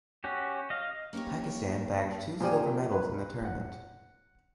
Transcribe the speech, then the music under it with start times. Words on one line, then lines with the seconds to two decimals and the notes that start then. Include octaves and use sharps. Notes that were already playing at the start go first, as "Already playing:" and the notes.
Pakistan bagged two silver medals in the tournament.
0.24 C#4 F#4 G4
0.70 D#5 F5
1.13 A#3 C#4 D#4 G4 C#5
2.40 A#2 F3 G4 D5 G#5
2.92 B4
3.45 F#5